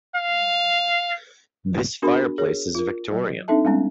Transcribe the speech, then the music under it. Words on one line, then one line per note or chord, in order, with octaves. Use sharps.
This fireplace is victorian.
F5
B3 D4 F#4 G#4 A#4 B5
G#4 A#4 C#5
F4 A#4
F#3
C4 D4 D#4 A4 E5 A5
G3 G#3 B3 C#4